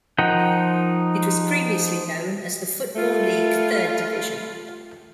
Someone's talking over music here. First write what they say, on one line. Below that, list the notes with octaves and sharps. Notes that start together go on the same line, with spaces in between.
It was previously known as the Football League Third Division.
F3 D#4 A#4 F#5 G5
G3 A3 F4